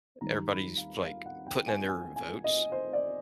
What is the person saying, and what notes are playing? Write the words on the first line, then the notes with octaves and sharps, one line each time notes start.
everybody's, like, putting in their votes.
D#2 D#3 G3 A#5
B5
F5
F5
F#5
G5
G#5
G#5
G#5
D#5
C5
D5